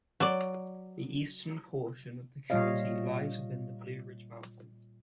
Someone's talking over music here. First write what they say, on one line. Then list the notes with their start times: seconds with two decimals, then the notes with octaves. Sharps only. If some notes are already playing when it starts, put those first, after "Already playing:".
The eastern portion of the county lies within the Blue Ridge Mountains.
0.20 F#3 D5
2.50 A#2 G3 F4 C#5 D#5 F5